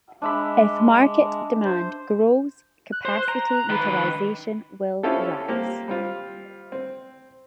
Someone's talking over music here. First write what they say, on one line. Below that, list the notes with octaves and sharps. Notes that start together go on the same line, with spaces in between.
If market demand grows, capacity utilization will rise.
G#3 D4 E5 B5
C5
F#6
C5
A#5
D#3 B4
C4 C#4 E4 F4 G4 A4
A#3 C4 G4
G3 C4 F4
C4